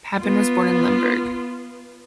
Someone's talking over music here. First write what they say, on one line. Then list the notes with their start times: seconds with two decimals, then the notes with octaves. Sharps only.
Papen was born in Limburg.
0.21 B3 F4